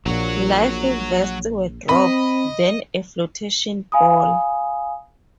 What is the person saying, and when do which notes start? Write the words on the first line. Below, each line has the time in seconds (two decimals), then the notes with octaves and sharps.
Life vests were dropped, then a flotation ball.
0.06 A#1 A#2 F#3 C#5
1.89 C4 D#5 B5
3.92 F5 G#5 B5 D#6